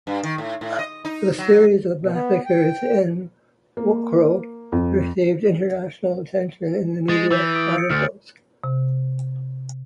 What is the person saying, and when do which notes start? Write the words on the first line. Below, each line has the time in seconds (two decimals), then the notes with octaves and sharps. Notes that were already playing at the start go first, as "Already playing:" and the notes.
The series of massacres in Wukro received international attention in media articles.
0.07 G2
0.23 D#3
0.38 A2
0.61 A2
0.79 D#5
1.05 D#4
1.38 F#3
2.01 B2
2.13 B3
2.46 G5
3.77 A#3
4.72 F2
7.09 G#3 A6
7.31 E3 E6 G6
7.55 D#6 D7
7.78 C#7
7.90 D2 F6 A6
8.64 C3